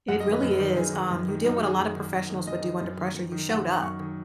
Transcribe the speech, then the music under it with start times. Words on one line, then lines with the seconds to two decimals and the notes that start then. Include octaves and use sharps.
It really is, um you did what a lotta professionals would do under pressure, you showed up.
0.08 F#2 F#5
0.20 D#5
0.26 D#3
0.31 B4
0.42 F#2
0.60 D#3
0.76 F#2 G#4
0.93 D#3
1.11 F#2
1.28 D#3
1.45 F#2 D#4
1.56 F#4
1.61 D#3
1.67 G#4
1.80 F#2
1.96 D#3
2.13 F#2
2.30 D#3
2.47 F#2 D#5
2.64 D#3
2.81 F#2
2.98 D#3
3.14 F#2
3.32 D#3
3.49 F#2 F#5
3.66 D#3
3.83 F#2 C#6
4.00 D#3